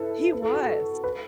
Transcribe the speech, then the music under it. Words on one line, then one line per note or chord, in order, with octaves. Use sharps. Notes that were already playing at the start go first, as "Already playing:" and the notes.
He was.
Already playing: E4 A4 B4
B4
A4
F#4
A4
B4